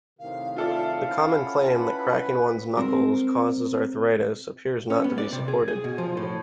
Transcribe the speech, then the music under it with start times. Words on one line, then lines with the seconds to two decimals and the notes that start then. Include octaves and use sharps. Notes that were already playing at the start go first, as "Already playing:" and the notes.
The common claim that cracking one's knuckles causes arthritis appears not to be supported.
0.19 A2 C3 D#3 F5
0.56 F4 A4 D5 E5 F5
1.08 C#4 E4 F#5 B5
1.77 B4
2.77 C4 A#4
4.90 C#4
5.04 B3
5.18 D5
5.32 C3
5.48 G#4
5.68 G#4
5.84 B2
5.98 F3
6.17 A2